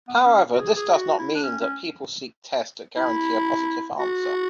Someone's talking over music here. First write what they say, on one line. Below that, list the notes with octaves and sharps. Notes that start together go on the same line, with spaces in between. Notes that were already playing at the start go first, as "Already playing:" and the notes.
However, this does not mean that people seek tests that guarantee a positive answer.
B3
C#4
F#4
G#4
G#4
F#4
E4
D4
C#4
C#4
E4
F#4